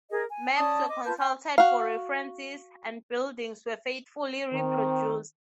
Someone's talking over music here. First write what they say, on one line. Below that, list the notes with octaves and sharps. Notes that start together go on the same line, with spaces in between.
Maps were consulted for references and buildings were faithfully reproduced.
G#4 A#4 D#5
G#5
C#4 D5 A5 D#6
D#5 D6
F4 B4 A5 G6
G5 C6 G6
F#4 F5
D#3 C4